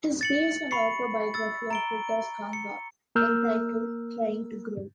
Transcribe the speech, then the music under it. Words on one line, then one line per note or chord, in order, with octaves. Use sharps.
It is based on the autobiography of Firdaus Kanga entitled "Trying to Grow".
A6 C#7 F#7
B5 C#6 C7 C#7
E6 A6
A#5 D7 G7
C#7
A#3 A#4 A#5 E6 F6 G6